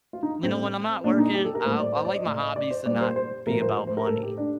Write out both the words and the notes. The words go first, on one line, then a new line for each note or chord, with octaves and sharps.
you know, when I'm not working, I I like my hobbies to not be about money.
F4
D#4
A2 A3 C4
A#2 A3 D4
D#4
G4
A4
A#4
A2 G3 A#3 C5
D5
C5
D5
D#5
A2 A3 D5
D#5
D5
C5
A#2 G3 A#3 D5
C5
C5
A2 F3 A3 A#4
C5
C5
C5
A#4
A2 A3 A4
G4
D4